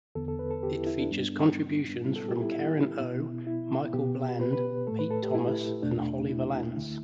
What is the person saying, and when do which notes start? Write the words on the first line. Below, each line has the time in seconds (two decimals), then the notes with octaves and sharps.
It features contributions from Karen O, Michael Bland, Pete Thomas, and Holly Valance.
0.15 E2 D3 B3 A4
0.28 A4
0.39 B4
0.51 A4
0.63 G4
0.75 E4
0.87 E4
0.99 D4
1.10 G2 G3 B3
2.04 A2 G3 B3 E4
2.16 A4
2.28 G4
2.40 E4
2.52 E4
2.99 B2 B3
3.47 E4
3.93 B2 B3 G4
4.41 B4
4.53 B4
4.87 A2 A3 A4
4.99 B4
5.11 A4
5.23 G4
5.35 E4
5.82 E2 B2 A3 D4
6.29 E4
6.76 D2 D3 A3